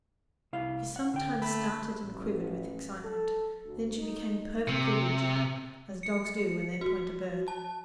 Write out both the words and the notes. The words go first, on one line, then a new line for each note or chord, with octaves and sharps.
She sometimes started and quivered with excitement, then she became perfectly rigid, as dogs do when they point a bird.
C2 E4 F5
F#5
D3 G5
A3 B5
A1
A4
D2
D#4
C3
C#7
F#4
A5